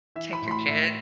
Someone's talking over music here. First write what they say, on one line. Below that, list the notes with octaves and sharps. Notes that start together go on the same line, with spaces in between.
Take your kid.
E3 E5
B5
A2 C6
B5
A2 E5